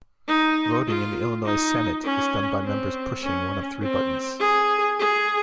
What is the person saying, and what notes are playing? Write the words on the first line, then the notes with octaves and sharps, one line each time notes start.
Voting in the Illinois Senate is done by members pushing one of three buttons.
D#4
F4
D#4
C#4
C4
C#4
C4
G#4
G#4